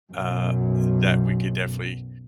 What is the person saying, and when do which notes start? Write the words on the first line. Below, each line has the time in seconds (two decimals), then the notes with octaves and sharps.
uh, that we could definitely
0.13 B1 F#2